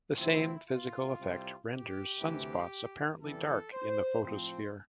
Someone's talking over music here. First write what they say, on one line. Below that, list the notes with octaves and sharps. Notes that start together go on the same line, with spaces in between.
The same physical effect renders sunspots apparently dark in the photosphere.
D2 C3 F3 C4 E4
F4
C2 C3 G3 C4
G4
D2 C3 E3
E2 E3 G3 A4
C5
A2 F3 C4 C5